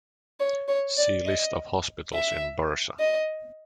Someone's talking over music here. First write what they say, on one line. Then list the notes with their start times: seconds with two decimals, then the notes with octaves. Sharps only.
See List of hospitals in Bursa.
0.40 C#5
0.68 C#5
0.97 D5
1.26 D#5
2.13 E5
2.99 D#5